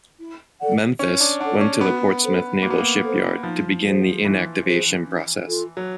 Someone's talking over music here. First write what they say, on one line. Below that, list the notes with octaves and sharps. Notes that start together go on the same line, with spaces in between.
"Memphis" went to the Portsmouth Naval Shipyard to begin the inactivation process.
E4
A4 D5 F#5
C#4 E4
D4
D4 A4 D5 F#5
C#4
B3 F#4
A4 C5
A#3 F#4
B3
A#3
A4 C5
F3 D#4
G#4 C5
E3 D#4
G#4 C5
C#4
F4 A4
F#3